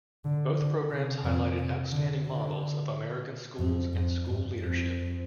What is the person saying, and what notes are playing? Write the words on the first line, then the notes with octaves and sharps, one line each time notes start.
Both programs highlighted outstanding models of American schools and school leadership.
D3
D3
C3
F2
C3
D3
D3
F2
F2
G2
F2